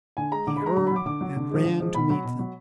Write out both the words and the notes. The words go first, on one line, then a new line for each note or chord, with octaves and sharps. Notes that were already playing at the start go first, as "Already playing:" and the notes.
He heard, and ran to meet them.
D3 G#5
G#3 A#5
D3 D6
B5
G#3 A#5
D3 A#5
B5
F#3 D6
D3 D6
F#3
D3
F3 G#3
D3
F3 G#3
B2 B5
F#3 B5
B2
F#3